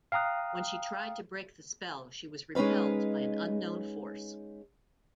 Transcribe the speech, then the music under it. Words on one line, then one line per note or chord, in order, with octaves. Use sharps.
When she tried to break the spell, she was repelled by an unknown force.
F5 G5 A#5 D#6 F#6
G#3 C#4 D#4 B4 F5